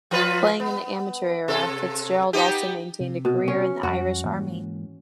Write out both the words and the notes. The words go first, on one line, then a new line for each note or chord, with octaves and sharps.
Playing in the amateur era, Fitzgerald also maintained a career in the Irish Army.
F3 F4 B4
B3
C3 A4
B3 D#4 G4
C3
B2
C#4
F2 G3 F#4
G#2 E3 A#3